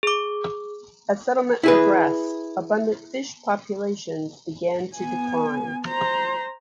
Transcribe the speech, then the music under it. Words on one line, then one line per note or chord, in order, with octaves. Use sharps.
As settlement progressed, abundant fish populations began to decline.
G#4 D6
E4 G#4 B4
B3 G#5
C5 A#5